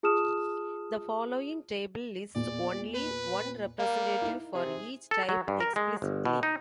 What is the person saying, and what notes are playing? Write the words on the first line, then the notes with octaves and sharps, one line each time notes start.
The following table lists only "one" representative for each type explicitly.
F4 G#4 A5 D#6 F6 E7
E2 A#2 D5
B4
G3 A#3
D#4 E4
C3 G#4
A4
F#3
G2
A#4
G#3
G1
B2
D#4